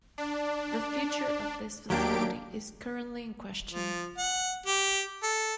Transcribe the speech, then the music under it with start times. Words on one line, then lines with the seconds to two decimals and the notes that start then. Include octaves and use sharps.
The future of this facility is currently in question.
0.18 D4
1.90 D#2 F#3 A#3 D4 G4 D7
3.70 F3
4.18 F#5
4.66 G4
5.23 A4